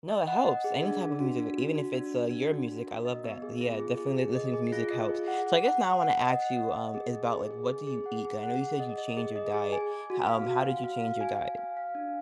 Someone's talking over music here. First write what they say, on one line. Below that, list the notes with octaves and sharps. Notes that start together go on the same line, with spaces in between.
No, it helps, any type of music, even if it's, uh, your music, I love that l yeah, definitely li listening to music helps, so, I guess, now I wanna ask you, um, is about, like, what do you eat? 'Cause, I know you said you changed your diet, how um, how did you change your diet?
D#5
F#5
D#5
G#4
D4
D4
F#4
D4
F#4
F#4
D4
D4
D4
F#4
F#4
A#4
D#5
B3
G#4
F4
G#4
G#4
G#4
D#5
G#4
F4
D#5
G#4
F#5
F#5
F#5
F#5
F#5
D#5
F#5
D#5
D#5
G#4
D#5
G#4
G#4
G#4
G#4
F#5
G#4
F#5
G#4
D#5
D#5
G#4
D#5
G#4
G#5
G#5
F#4
F5
F#4
F#4
F5
F5
G#5
G#5
F5
F5
D4